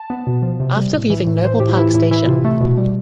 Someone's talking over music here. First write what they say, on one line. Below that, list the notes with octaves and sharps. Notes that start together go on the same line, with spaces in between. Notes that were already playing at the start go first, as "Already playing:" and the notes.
After leaving Noble Park Station.
Already playing: A5
B3
B2
F3
C3
G3
A2
E3
A2
E3 C5
A2 G4
F4
E3 E4
A2 E4
E3 E4
C3 F4
A3
B2
G3